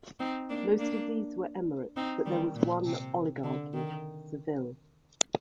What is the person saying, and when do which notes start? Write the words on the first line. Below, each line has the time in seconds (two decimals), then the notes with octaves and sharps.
Most of these were emirates, but there was one oligarchy, Seville.
0.19 C4 D#4
0.49 A#3 D4
0.78 A#3 D4
1.96 C4 D#4
2.26 D#3 G3
2.55 A#2
2.85 C3
3.43 D3
3.73 D#3